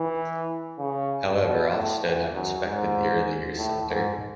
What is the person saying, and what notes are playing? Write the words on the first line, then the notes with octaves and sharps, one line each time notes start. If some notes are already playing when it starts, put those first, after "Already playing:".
However, Ofsted have inspected the Early Years Centre.
Already playing: E3
C#3
B2
A2
E2
F#2
G#2
A2
G#2